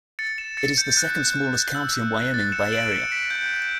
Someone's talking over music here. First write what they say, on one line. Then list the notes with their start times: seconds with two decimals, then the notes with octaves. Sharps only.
It is the second-smallest county in Wyoming by area.
0.19 A6 C#7
0.38 C#7 E7
0.57 A6 C#7
0.78 G6
0.97 F#6
1.75 E6
1.94 F#6
2.14 F#6
2.34 A6
2.52 C#7 E7
2.72 D7 F#7
2.92 C#7 E7
3.11 B6 D7
3.30 G6